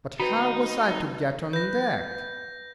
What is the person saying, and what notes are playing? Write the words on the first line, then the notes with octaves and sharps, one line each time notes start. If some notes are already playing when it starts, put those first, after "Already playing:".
But how was I to get on deck?
D#3 C4 D#4 F#4 B4 B5
B4 G6 A#6